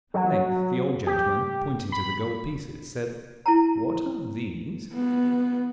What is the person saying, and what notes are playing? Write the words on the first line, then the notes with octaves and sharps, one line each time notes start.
At length the old gentleman, pointing to the gold pieces, said: "What are these?"
F#3
G4
B5
E4 A5 A#5
B3